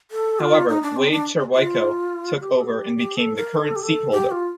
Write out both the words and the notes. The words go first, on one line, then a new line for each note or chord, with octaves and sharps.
However Wade Cherwayko took over and became the current seat holder.
A4
F4
D#4
D4
C4
D#4
D4
F4
G4
A4
G4
G4
A4
A#4
A4
G4
A4
G4
F4